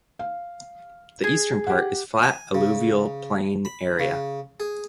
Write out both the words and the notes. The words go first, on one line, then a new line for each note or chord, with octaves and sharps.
The eastern part is flat alluvial plain area.
F5
G#4
G4 F#5
G#5
C#3
B5
C#3
G#4